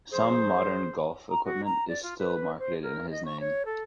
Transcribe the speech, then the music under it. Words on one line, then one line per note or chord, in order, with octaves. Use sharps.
Some modern golf equipment is still marketed in his name.
F3 G#4 C5
A#5
F#4
A#5
D5
F4
B4
C5
A#4
D#5
C#6
C#5
A4